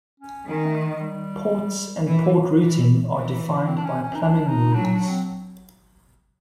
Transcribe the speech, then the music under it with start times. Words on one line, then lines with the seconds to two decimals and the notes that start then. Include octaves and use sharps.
Ports and port routing are defined by plumbing rules.
0.20 C#4
0.47 D#3 C#4
0.65 A3
0.82 G#3
1.00 G3
2.07 E3
2.60 E3
3.14 E3
3.66 C4
3.76 D4
3.84 C#4
4.02 C#4
4.15 D#4
4.20 D4
4.47 D#4
4.73 F#3 D4
4.85 D#4
4.91 D4
5.09 C4